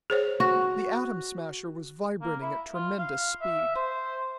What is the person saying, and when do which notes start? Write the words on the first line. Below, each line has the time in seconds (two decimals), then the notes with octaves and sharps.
The Atom Smasher was vibrating at tremendous speed.
0.10 G#4 C5 C#5
0.40 F#4
2.22 A#3
2.42 E4
2.74 F4
2.98 F5
3.41 E5
3.76 C5